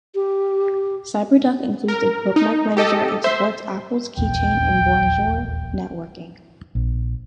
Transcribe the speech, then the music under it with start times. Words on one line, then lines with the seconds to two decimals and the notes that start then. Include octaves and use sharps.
Cyberduck includes a bookmark manager and supports Apple's Keychain and Bonjour networking.
0.15 G4
1.88 A#4
2.36 D#4
2.77 G4 A4 D#5
3.24 C5 E5 C6
4.17 D#1 A#1 E2 G5
6.75 A#1